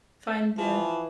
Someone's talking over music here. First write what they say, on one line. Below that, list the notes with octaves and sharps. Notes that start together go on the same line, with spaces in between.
find the
E3 F3